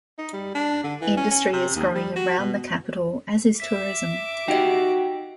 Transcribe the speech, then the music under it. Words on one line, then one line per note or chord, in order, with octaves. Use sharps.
Industry is growing around the capital, as is tourism.
D#4
G3
D4
D3
E3
C#4
C#4
C3
D#2
G3
F#4
B2
E5 D6 B6
D#4 F#4 G4 D#5 G5